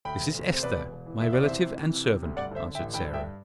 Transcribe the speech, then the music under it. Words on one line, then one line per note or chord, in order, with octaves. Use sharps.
"This is Esther, my relative and servant," answered Sarah.
D2 G5 B5
E1
D2
C3
C5
E1 B4 D5
E1
E1
E3
E1 E5
C3 D5
C5 E5
E3
C3
E3
C3
C3
D2
G2 D5 F#5
D3 C5 E5
D3
E5 G5
A1
D3 G5 B5
G2
E5 G5